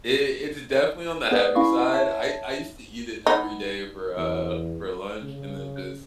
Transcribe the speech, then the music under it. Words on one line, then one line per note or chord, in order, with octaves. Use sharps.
it it's definitely on the heavy side, I I used to eat it every day for, uh for lunch and then just
B3 G#4 B4 D5
C#4 E4 F5 C#6
C#5 E5 A5
B3 D#4 D#5
E2
C#3